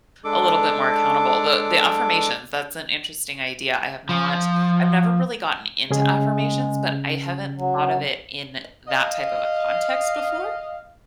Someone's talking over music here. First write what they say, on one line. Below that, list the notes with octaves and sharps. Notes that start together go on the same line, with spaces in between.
a little bit more accountable, but the affirmations, that's an interesting idea, I have not I've never really gotten into affirmations, but I haven't thought of it in that type of a context before
G#3 D4 A4 D6
F3
C#3 G#3 C#4 G#4
F#3
D#5 F5